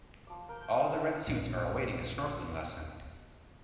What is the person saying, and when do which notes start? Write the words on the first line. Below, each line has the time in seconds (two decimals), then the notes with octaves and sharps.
All the red suits are awaiting a snorkeling lesson.
0.27 F3 D6
0.49 A#4 G6
0.83 E4 G#4 A#4
1.27 A#1 F#2 A#2